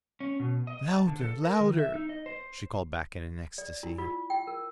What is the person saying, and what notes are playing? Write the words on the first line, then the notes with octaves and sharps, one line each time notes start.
"Louder, louder!" she called back in an ecstasy.
C#4
B2
D#5
A5
D3
A4
A#4
D#3
E5
D#4
D#5
C5
D5
E4
F4
G5
A#4